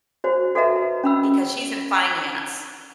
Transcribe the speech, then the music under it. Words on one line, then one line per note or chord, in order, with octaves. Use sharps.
because she's in finance
F#4 C5
F#4 A4 B4 D#5 E5 A#5
C#4 B5 E6